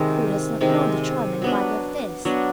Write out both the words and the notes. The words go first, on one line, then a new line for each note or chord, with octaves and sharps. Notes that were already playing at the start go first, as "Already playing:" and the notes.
Who does not know the charm and value of this?
Already playing: C3 D#3 G#3
C3 D#3 G#3
F#3 B3 D4
F#3 B3 D4